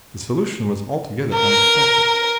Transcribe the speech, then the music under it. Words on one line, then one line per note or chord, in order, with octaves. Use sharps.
The solution was altogether unexpected.
A#4